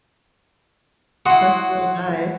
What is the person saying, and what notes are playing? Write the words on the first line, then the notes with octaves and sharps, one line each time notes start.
That's really nice.
E4 F#4 F#5 C6 D#6